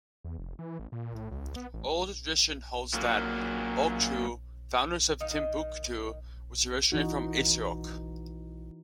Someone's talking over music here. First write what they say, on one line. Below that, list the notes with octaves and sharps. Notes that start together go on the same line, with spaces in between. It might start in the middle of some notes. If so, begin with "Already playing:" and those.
Oral tradition holds that Boctou, foundress of Timbuktu, was originally from Essouk.
E2
F1
E3
A1
A#2
A2
C#2
B3
A1
A#2 F#3 A#3
D#3 D#4 F5
E3 D#4 F#4